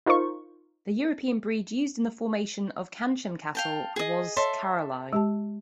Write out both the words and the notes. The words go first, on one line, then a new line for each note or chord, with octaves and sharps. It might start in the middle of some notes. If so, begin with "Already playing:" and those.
The European breed used in the formation of Canchim cattle was Charolais.
D#4 F4 A#4 C5 C#6
F5 G5 A5
G#4 D#5
A4 C#5 D#5 E5 C6
G#3 G4 A5